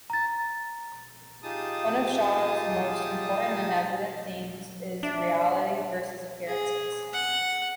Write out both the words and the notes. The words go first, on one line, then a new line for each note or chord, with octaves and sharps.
One of Shaw's most important and evident themes is reality versus appearances.
A#5 A6
D#4 F4 G4 G#4 A5 D#6
D4 E5
G#4
F#5